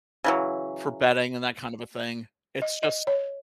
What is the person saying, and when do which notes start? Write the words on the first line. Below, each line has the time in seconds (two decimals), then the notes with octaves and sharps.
For betting and that kind of a thing. It's just
0.24 C#3 E3 F#3
2.62 D#5
2.83 D#5
3.07 C#5